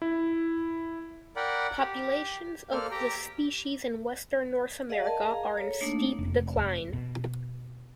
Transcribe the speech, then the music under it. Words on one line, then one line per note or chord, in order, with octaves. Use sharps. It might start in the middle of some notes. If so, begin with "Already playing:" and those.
Populations of this species in western North America are in steep decline.
E4
A#4 D5 F#5 G5 B5
G4
A#3 A4 C5 D5 F6
G4 G5 A#5
G#4 D5 D#5 F5 F#5
A#4 D#5 A5
G#4 F5 A#5
A4 C#5
A3 A#3 D4 D#4
F1
B2